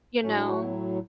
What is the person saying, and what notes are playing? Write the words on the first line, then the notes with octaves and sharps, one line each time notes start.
you know,
A2 F#3 C#4
D4
F#4